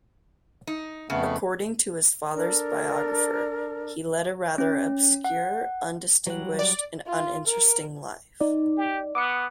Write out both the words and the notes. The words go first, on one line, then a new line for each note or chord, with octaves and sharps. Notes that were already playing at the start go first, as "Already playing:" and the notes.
According to his father's biographer, he led a rather "obscure, undistinguished and uninteresting life".
D#4
F2 C#3 A3 B3
D4 A4 A#4 D5
C#4
F#5
F#3 G3 F#5
D5
F4
A#4
D#4 D5
G4
B3 D6 D#6 C#7